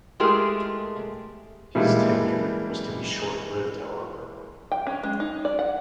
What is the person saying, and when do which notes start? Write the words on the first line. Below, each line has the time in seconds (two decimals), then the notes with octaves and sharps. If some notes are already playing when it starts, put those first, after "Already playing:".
His tenure was to be short-lived, however.
0.20 G#3 A3 G4 G#4 A#4
1.75 E3 G3 G#3 A#3 D4 E4
4.71 G5
4.87 C#4
5.03 G#3
5.20 D#4
5.45 D5
5.59 F#5